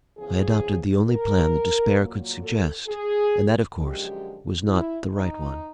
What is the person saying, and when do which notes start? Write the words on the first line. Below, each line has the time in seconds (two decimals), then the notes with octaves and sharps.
I adopted the only plan that despair could suggest, and that, of course, was not the right one.
0.17 E2 C#3 F3 G#4
1.08 A#4
1.98 A#2 F#3 A#3
2.43 A4
2.87 G#4
3.77 F#2 D3 F3 G#3 G4
4.67 E4
5.12 D#4